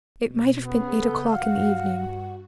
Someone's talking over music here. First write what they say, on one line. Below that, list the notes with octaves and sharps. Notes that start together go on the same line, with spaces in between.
It might have been eight o'clock in the evening.
B2
B3 C#4 G#4
C#3 A4 G6
G2 F#4 F5 F#5